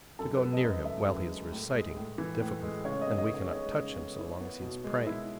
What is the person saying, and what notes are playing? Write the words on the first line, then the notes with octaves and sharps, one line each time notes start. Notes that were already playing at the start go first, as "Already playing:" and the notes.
To go near him while he is reciting would be difficult; and we cannot touch him so long as he is praying.
F#2 A4
G#3 B4
D#5
F#2
D#5
C#3 E5
F#2
G#3
A2
G#3
A2
E3
A2
G#3
C#3 C#5
D#5
B3
D#5
C#3
C#5
G#3 C#5
C#3
B3
E4
B3
B2
G#3
E4